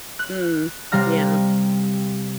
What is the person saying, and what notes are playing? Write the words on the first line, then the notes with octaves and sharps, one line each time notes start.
Mm. Yeah.
F#6
C3 G3 F5 A#5 F6